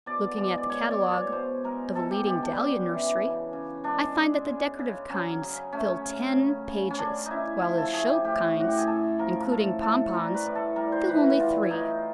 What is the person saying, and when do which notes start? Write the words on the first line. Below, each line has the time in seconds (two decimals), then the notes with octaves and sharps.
Looking at the catalogue of a leading Dahlia nursery, I find that the decorative kinds fill ten pages, while the show kinds, including Pompones, fill only three.
0.06 B2 D5
0.38 G#3 D5
0.58 D5
0.70 G#3 C#5
0.90 D5
1.01 B2
1.11 C#5
1.32 B2 C5
1.64 G#3 A#4
1.95 B2 A4
2.11 G4
2.27 G#3 G4
2.43 D4
2.59 C#3
2.90 E3
3.22 C#3
3.53 C#3
3.84 G#3 D4
4.15 G#3
4.47 C#3
4.79 C#3
5.10 F#3 C#4
5.42 C#3
5.73 A3 C#4
6.05 C#3
6.36 C#3
6.67 C#3
6.91 C#4
6.98 C#3 D4
7.26 C#3 D#4 E4
7.62 F3 E4
7.78 A4
7.93 A3 G#4
8.08 G4
8.24 A2 G4
8.56 A2 F#4
8.68 G4
8.78 G#4
8.87 A2 A4
9.19 F3 A#4
9.41 A#4
9.50 A2 A4
9.82 A3 A4
10.14 G3 A#4
10.34 B4
10.45 A2
10.55 A4
10.76 G3 A#4
10.92 C5
11.08 E3 B4
11.23 F#4
11.39 G3 F4
11.63 E4
11.71 A2 D#4